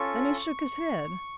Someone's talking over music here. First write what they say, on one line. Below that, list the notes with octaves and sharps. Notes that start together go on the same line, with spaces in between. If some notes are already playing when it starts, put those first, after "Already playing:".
Then he shook his head.
Already playing: C#4 F4 A4 C#6